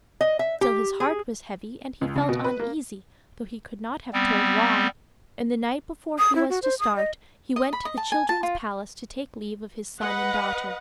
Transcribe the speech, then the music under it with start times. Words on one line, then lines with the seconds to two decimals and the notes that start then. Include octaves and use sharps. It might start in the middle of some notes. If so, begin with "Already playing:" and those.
Still his heart was heavy, and he felt uneasy, though he could not have told why; and the night before he was to start he went to the children's palace to take leave of his son and daughter.
0.21 D#5
0.39 E5
0.61 G4
1.00 G#4
2.01 C#2
2.16 C#3
2.29 B2
2.44 B4
2.60 A#3
4.13 G3 B3 C4
6.18 D#6
6.35 E4
6.50 F#4
6.63 C5
6.79 D#6
6.96 D#5
7.56 D#5
7.73 B5
7.85 D#5
7.98 A5
8.12 G#5
8.29 A5
8.43 F4
10.00 B4 D#5 F#5